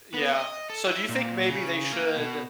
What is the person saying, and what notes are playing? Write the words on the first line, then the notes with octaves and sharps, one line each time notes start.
Yeah, so do you think maybe they should
B3
D#5
A4
E4
A#2
C#3
A#3
B2